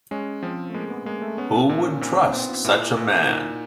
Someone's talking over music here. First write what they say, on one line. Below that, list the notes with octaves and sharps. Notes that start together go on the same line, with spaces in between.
Who would trust such a man?
G#3 C#4
F3 C4
A3
G#3 A#3
B3
G#3 A#3
A3
B3 C#4
D4
A#2 D#4
C#4
A#2 C4
B3
B3 C4
F4
A#2 E4
A#2
A#2 D#4